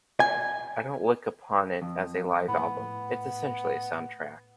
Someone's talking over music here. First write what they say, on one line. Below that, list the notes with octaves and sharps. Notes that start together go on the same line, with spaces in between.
I don't look upon it as a live album...it's essentially a soundtrack.
G#5
F2
A2 B3 B5